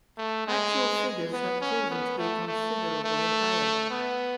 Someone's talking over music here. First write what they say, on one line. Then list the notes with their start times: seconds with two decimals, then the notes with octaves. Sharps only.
Actual figures have proven to be considerably higher.
0.17 A3
0.47 G#3
1.33 B3
1.61 C#4
1.90 B3
2.18 A3
2.47 A3
3.04 A3
3.91 B3